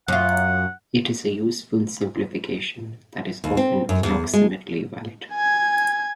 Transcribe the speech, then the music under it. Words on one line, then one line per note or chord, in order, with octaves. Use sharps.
It is a useful simplification that is often approximately valid.
F#2 F4 F#5
D#2
C4
F#2
E2
G#3
G#5 G#6